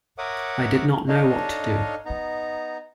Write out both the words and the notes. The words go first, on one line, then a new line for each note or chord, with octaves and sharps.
I did not know what to do.
A#4 C#5 E5 F#5 D6 D#6
D4 D#4 A4 C#5 D#5 F5
B3 D#4 A#5